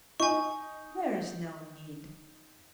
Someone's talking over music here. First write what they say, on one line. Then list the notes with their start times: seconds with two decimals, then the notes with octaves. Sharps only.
There's no need.
0.20 D#4 G#5 C#6